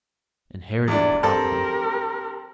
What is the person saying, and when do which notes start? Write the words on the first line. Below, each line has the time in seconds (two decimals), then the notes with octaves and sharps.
Inherited property!
0.88 E2 D4
1.23 C4 G4 A4 A#4 A5